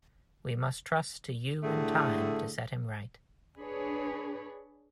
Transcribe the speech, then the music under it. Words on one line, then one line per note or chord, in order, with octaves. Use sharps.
We must trust to you and time to set him right.
A2 D3 G3 A3 E4 G#4
D4 G#4 B4 C#5